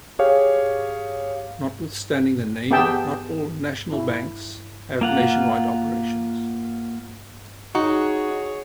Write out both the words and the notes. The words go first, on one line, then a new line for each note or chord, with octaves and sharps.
Notwithstanding the name, not all "national banks" have nationwide operations.
G4 G#4 C#5 F5
B3 G4 G#4 E5 G5 A5
E4
A#3 F4 F#5
D#4 F#4 G#4 C#5